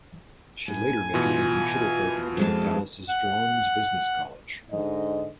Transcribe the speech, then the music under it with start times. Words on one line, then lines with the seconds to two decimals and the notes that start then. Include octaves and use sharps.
She later majored in computer programming at Dallas's Draughon's Business College.
0.68 A2 G#5
1.14 B2 E3 F4
2.37 F2 G#3 A5
3.08 F#5
4.72 G#2 D3 D#5